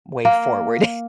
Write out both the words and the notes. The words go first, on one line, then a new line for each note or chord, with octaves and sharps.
way forward.
A#3